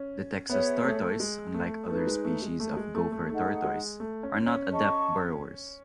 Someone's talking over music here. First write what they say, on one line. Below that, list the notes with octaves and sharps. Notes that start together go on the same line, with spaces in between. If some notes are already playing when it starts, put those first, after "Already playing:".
The Texas tortoise, unlike other species of gopher tortoise, are not adept burrowers.
Already playing: C#4
B3 G#4 C#5 E5
A3
G#3
A3
A3 D#4 G#4 B4
G#3
A3
G#3
A3
G#3
A3
A3
A3 D#4 G#4 D#5 F#5
G#3
A3
C#4
C#4
G#4 D#5 A5 C#6